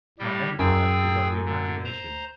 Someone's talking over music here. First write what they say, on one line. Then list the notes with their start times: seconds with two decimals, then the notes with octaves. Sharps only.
My empire is of the imagination.
0.19 A2 G3 G4
0.59 F#2 G#4 G5 E6
1.45 D3
1.84 C5 A#5